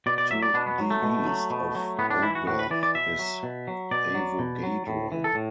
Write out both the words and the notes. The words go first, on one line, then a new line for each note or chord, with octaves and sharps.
To the east of Oberth is Avogadro.
B2 D5
D5
F#3 E5
D5
B2 D4
B3
F#3
A3
B2
F#3
B2
F#3
A2 B3
D4
E3 E4
F#4
A2 F#4
B4
E3 D5
D5
B2 E5
F#3
B2
F#3
B2 D5
F#3
B2
F#3
A2
E3
A4
A2